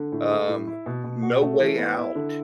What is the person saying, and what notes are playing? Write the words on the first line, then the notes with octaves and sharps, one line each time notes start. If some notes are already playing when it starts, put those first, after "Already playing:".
Um, No Way Out.
Already playing: D3
A2
A3
A2
E4
B2
B2
F#4
A3
E3
B3
E4
D3